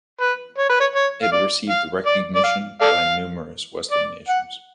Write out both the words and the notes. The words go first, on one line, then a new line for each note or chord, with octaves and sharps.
It received recognition by numerous western nations.
B4
C#5
B4
C#5
C#5
F5
D5
F5
D5
D5
F5
A4 D5 F5
D5
F#5